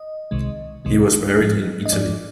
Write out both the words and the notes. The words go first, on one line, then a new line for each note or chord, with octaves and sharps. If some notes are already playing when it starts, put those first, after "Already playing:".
He was buried in Italy.
Already playing: D#5
C2 C3 D#3 G#3
C2 C3 D#3 G#3
G#2 F3 G#3
D#5
G#2 F3 G#3 D5